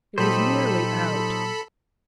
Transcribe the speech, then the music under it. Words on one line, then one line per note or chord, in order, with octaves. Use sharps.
It was nearly out.
A#2 F#3 D#4 G4 A4 C5 B5